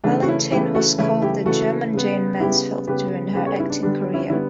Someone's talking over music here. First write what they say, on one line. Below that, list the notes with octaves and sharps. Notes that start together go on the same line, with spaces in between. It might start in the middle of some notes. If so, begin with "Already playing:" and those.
Valentin was called "the German Jayne Mansfield" during her acting career.
C#3 E3 A3 D4
F#4
C#4 E4
C#3 E3 A3 E4 G4
F#4 A4
C#3 E3 A3 C#4 E4
E4 G4
C#3 E3 A3 F#4 A4
C#3 G3 B3
C#3 G3 B3 E4 G4
C#3 G3 B3 G4 B4
C#3 G3 B3 G4 B4
A4 C#5
C#4 E4
D4
D3 G3 B3 D4
C#4 E4
D3 G3 B3 C#4 E4